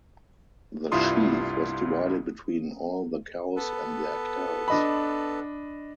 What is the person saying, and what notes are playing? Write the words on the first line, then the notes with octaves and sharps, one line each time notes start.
The sheaf was divided between all the cows and their calves.
C2 G2 E4 F4 C6 D#6
B3 A4 B4
D4 D#5 B5